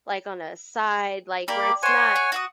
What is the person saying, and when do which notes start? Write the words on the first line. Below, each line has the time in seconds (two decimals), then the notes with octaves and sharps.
like, on a side like, where it's not
1.48 A#3 G4 A#4 D5 B5
1.83 C5 C#5 F#5 G#5 C6
2.16 G#4
2.32 F#4 F#5 D#6